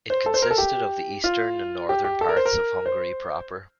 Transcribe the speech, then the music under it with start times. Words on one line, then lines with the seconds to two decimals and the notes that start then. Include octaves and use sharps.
It consisted of the eastern and northern parts of Hungary proper.
0.10 C5
0.26 A4
0.34 C5
0.42 A#4
0.51 A4
0.58 G4
1.24 F4
1.89 G4
2.04 G4
2.21 A4
2.29 A#4
2.37 C5
2.46 A#4
2.86 C5